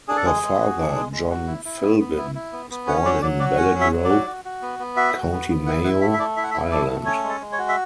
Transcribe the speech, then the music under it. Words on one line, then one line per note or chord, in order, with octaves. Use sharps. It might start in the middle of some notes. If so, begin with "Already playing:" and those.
Her father, John Philbin, was born in Ballinrobe, County Mayo, Ireland.
D4 G#4
A4
G#3 G#4
G#3
F#4
D4
G#3
G#3
F#4
E4
E4
B3
B3
E4
E4
B3
B3
C#4 F#5
F#3 D5
F#3 D5
F#4 D5
C#4 F#5
F#3
E5
F#3
D5
F#4
F#4
F#4
B3
B3
F#4 E5
F#4
B3
B3
E4 F#5
E4 F#5
A3 E5
E5
A3 D5
E4 E5
F#5
E5
E4
A3 D5
A3
C#4 C#5
G#3
A4
G#3
C#5
F#4
E5